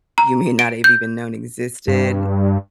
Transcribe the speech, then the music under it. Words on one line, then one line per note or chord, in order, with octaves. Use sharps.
you may not have even known existed
A#5
D7
G6
G2